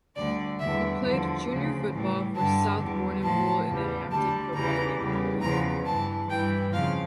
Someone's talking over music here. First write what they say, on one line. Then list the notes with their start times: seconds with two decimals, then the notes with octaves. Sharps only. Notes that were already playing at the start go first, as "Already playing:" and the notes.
He played junior football for South Warrnambool in the Hampden Football Netball League.
0.16 D2 D3 G3 D5
0.60 E2 D3 G3 E5
1.04 E2 D3 F3
1.48 D2 C#3 F3
1.92 A2 E3 G3
2.36 G2 D3 G3 A5
2.80 E2 D3 G3
3.23 A2 F3 A5
3.68 E2 C#3 G3
4.11 D2 D3 G3 A5
4.55 E2 C#3 E3 G3 A#5
4.99 E2 C#3 G3
5.42 E2 C#3 F3 A#5
5.86 G2 E3 G3 A5
6.30 G2 E3 G3 G5
6.73 F2 C#3 F3 F5